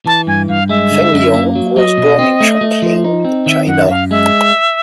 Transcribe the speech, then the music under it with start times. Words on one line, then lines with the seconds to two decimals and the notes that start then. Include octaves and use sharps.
Feng Yun was born in Chong Qing, China.
0.06 E3 A5
0.27 G2 G#5
0.49 G2 F5
0.69 G#3 E5
0.91 D3
1.13 F#2
1.34 A#3
1.55 F#3
1.77 F#3 D#5
1.97 B2
2.19 C4
2.40 A3
2.61 A3
2.82 F3
3.04 D#4
3.25 C4
3.46 D#3 E5
3.67 F#2 F#5
3.89 F#2 F5
4.11 G#3 E5